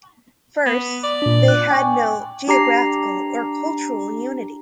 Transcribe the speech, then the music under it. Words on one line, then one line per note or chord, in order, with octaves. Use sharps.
First, they had no geographical or cultural unity.
B3
D5
A#2 D4
F#6
G5 G#5 C#6
D4 G4 A#5 C7